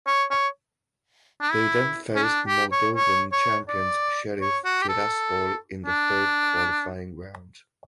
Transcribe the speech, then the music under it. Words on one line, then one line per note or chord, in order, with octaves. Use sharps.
They then faced Moldovan champions Sheriff Tiraspol in the third qualifying round.
C#5
C#5
D4
E4
C#4
D4
G4
C#5
C#5
C#5
D5
C#5
F#4
G4
A4
D4